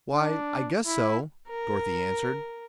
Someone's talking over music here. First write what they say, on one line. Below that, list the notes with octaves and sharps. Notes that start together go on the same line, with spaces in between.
"Why, I guess so," Dorothy answered.
D4
E4
A#4